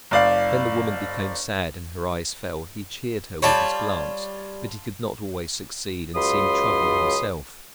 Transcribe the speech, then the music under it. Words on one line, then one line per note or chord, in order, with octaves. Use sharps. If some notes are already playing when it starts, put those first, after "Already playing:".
When the woman became sad and her eyes fell, he cheered her with his glance; but he could not always succeed, and seemed troubled himself.
F#1 D5 F5
G3 F4 C#5 A5 B5
C#2 C#3 F#3 B5 C6 D#6